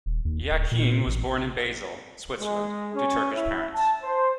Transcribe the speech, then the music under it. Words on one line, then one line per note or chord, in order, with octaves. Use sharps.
Yakin was born in Basel, Switzerland, to Turkish parents.
D#1
D#2
D1
A#2
A1
G#3
C#4
E4
A5
C5